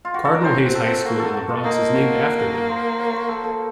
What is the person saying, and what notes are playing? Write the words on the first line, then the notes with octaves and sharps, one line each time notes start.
Cardinal Hayes High School in The Bronx is named after him.
F4
F#4
A4
D#4 A#4
C#4 C5
C4
A4
C4
A#3 F#4
A4
F#4
F4
A#3 D#4
F#4
A#4
A#4
C5
C#5
C5
A4
A4